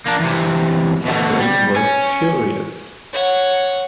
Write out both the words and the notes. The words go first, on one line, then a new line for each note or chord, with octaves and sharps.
Suffren was furious.
A#3 D4
E2 C3
B2 D3
G3
C#5 G#5
C#5 F#5